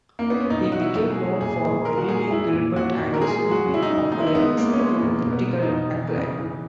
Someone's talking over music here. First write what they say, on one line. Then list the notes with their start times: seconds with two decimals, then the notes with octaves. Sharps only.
He became known for reviving Gilbert and Sullivan operettas to critical acclaim.
0.19 A#3
0.30 B3
0.40 C#4
0.50 B2 D#4
0.72 F#3 F#4
0.81 E4
0.96 B2
1.11 G#4
1.18 F#3
1.41 A#2 G#4
1.63 G#3
1.85 G#3 A#4
1.98 F#4
2.08 A#2 G#4
2.31 A#2 E4
2.53 A#2
2.76 A#2 F#4
2.99 A#2
3.14 A#4
3.21 G#3 G#4
3.45 G#3
3.51 F#4
3.66 C#3
3.74 E4
3.82 D#4
3.90 C#3
4.12 G#3 D#4
4.20 E4
4.27 D#4
4.35 G#3 B3
4.57 G#3 A#3
4.73 C#4
4.80 G#3 B3
5.02 B2 A#3
5.25 B2
5.33 B3
5.47 B2
5.62 D#4
5.70 B2
5.94 E3
6.15 C#3
6.38 E3